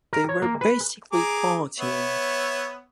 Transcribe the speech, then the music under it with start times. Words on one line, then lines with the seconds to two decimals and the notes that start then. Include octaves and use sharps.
They were basically partying.
0.13 A#4
0.29 C#5
0.42 A#3
0.61 B4
1.13 G#4 A#5 D6
1.80 B3 C#5 E5